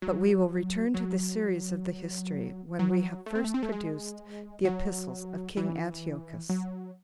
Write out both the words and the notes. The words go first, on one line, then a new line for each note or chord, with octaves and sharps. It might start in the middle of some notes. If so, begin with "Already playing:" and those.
But we will return to the series of the history, when we have first produced the epistles of king Antiochus.
F#3
F#3
F#3
A3
C4
A3
C4
A3
G#3
F#3
E3
F#3